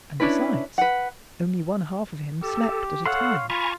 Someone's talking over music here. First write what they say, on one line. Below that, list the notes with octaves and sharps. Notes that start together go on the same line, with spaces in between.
And besides, only one half of him slept at a time.
C#4 D4 E4 B4
B4 F#5
G4 A4
A4 C#5 F5 F#5 C6
F4 G#5 A#5 B5 C#6